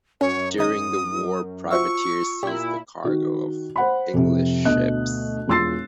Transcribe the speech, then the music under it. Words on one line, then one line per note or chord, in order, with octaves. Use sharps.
During the war, privateers seized the cargo of English ships.
F#2 C#4 C#5
D#3 D#4 D#6 G#6
F4 F#4 C5 E5 C#6 E6
A#2 E4 G4
D#3 F#4
C5 F#5 B5
F2 C3
D2 B2 D#5 F#6
E1 F4 C6 E6 A6 C7